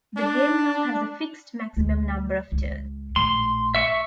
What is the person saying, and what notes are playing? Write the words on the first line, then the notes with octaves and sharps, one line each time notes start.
The game now has a fixed maximum number of turns.
D4
D2
C#2
A#1 A2 C6
E5 C#6